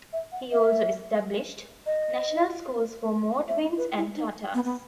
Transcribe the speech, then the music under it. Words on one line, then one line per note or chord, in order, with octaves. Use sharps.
He also established national schools for Mordvins and Tatars.
E5
F#5
E5
D#5
E5
D#5
B4
E4
D#4
B3
B3